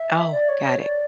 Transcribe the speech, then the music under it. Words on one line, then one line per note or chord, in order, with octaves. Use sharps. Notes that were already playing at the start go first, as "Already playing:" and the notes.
Oh, got it,
Already playing: E5
D5
C#5
C#5
D5